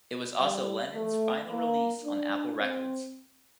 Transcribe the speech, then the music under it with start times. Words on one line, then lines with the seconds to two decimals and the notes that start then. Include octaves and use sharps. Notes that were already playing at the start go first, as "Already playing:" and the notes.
It was also Lennon's final release on Apple Records.
0.40 G3
0.95 A3
1.50 A#3
2.04 D4
2.58 C4